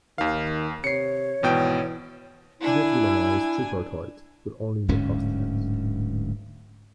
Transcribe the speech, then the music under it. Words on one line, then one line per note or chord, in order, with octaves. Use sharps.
Yazghulami is tripartite, but only in the past tense.
D#2 D#3 F5
C3 C#5 C7 C#7
G#1 B2 E3 G5
D4 E4 G#5
D1 D2 G#2 C#4